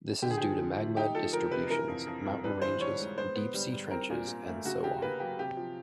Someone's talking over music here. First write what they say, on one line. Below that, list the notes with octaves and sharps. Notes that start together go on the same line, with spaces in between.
This is due to magma distributions, mountain ranges, deep sea trenches, and so on.
D3 G4
G#4
F3 G4
F3
A3
D#4 G4
F3 A4
F3 A#4
C3 B4
E3 A#4
F2
F2
F2
G3 B4
E3 C5
G3 C#5
G#2
B3 C5
B3
G3
G3
C4 A#4
A#2
A#2
A3
C#3 F#4
C#3 G4
A#3 B4
F#3 G4
C3 G4
F3